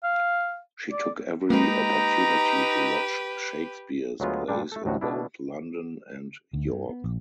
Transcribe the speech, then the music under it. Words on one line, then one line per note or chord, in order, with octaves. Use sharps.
She took every opportunity to watch Shakespeare's plays in both London and York.
F5
D5
G#3 A#3 D#4 G4 B4 A#5
D2 F#3 G#3 B3 F4
G2 A#2 G3 D4
A3 A4
A1 D2 A2 F#4
B2 D4 E4
D2
G2
B3
A#1